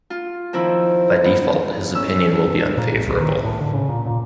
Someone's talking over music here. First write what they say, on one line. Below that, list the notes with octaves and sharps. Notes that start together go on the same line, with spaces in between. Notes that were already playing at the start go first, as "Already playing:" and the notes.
By default, his opinion will be unfavorable.
F4
D#3 F3 C4 E4
B3
C#4 E6
A#2
A1
C2
D#3
A1
A2
D3
C#3
A#2
A#2